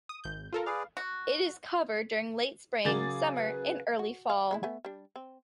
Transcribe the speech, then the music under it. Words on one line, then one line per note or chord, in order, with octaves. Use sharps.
It is covered during late spring, summer and early fall.
D#6
G#1 G6
F4 A4 A#4
G#4 B4 D5 F5
F#4
C#3 F#3 G#4 A#4 D6 A6
B4
F#4
F5
G#3 C#4 E4
A3 B3 G#5
G3 D4
C4